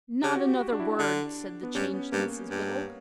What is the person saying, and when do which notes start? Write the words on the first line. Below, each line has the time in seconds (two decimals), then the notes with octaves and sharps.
'Not another word,' said the changed Mrs Biddle.
0.23 C#3 G4
0.36 F#4
0.49 G4
0.61 F#4
0.72 D4
0.80 E4
0.99 D3 D4
1.63 B3
1.75 G2 C#4
1.94 B3
2.12 G2 A#3
2.50 G2